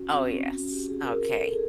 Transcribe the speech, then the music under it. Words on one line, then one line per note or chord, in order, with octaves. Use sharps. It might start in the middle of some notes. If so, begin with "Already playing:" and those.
Oh, yes. Okay.
Already playing: C#4 F#4
C4
C#4
C#4
F#4
G4
G#4
A#4
A#4
A4
G#4